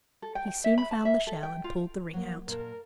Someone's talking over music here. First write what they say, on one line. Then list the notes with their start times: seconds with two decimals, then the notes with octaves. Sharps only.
He soon found the shell, and pulled the ring out.
0.22 A4
0.35 G5
0.48 G5
0.64 E5
0.78 B5
0.91 A5
1.05 E5
1.27 A4
1.43 G5
1.64 F4
2.13 F#3 A#3
2.48 A#2 A#4 A5